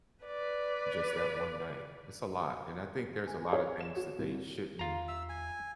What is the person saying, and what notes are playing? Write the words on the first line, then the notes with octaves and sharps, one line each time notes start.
just that one night, it's a lot, and I think there's a lotta things that they shouldn't,
B4 D5
G#5
C#5
E7
F#4
C2
E2 F4 A#5
E5 E6
G#5